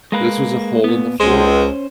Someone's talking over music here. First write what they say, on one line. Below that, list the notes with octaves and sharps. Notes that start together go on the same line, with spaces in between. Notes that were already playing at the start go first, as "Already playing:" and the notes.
this was a hole in the floor.
G#3 A#3 B4
A#2 B3
C#2 G#3 C#4 C5